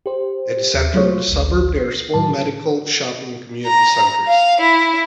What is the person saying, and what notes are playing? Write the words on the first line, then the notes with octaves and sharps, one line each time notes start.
At the centre of the suburb there are small medical, shopping and community centres.
G4 C5
D#2
F#3 G#3 A3 F4 C5 C#5
A1 D2
C7
A2 D#3 F#3 A5
A#5
F5
E4